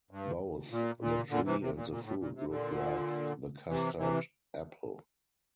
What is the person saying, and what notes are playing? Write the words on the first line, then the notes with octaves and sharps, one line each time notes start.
Both the tree and the fruit look like the custard apple.
G2
A#2
A#2
A#2 D3
C3 E3
C3
A#2
A#2
A2
A#2
C3
A#2 D3
C3 E3
C3 E3